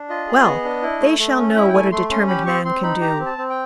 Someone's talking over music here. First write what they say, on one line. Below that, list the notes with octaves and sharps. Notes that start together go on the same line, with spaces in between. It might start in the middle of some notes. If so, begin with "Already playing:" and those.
Well, they shall know what a determined man can do.
Already playing: D4
F4 D#5
G#4
B3
D4
E4
A3
A3
C#4
E4 E5
G5
A3 G#5
A3 C6
C#4 C6
G4 B5
C4 C#6
C4 C6
D#4 B5
G4 A#5
C4
A5
C4
G5